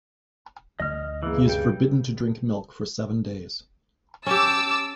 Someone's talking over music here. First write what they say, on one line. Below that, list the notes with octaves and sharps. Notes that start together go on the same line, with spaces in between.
He is forbidden to drink milk for seven days.
D2 D#5 F6
G2 C#3 E3 A#3
G3 G5
C#4 G4 A5 D6 E6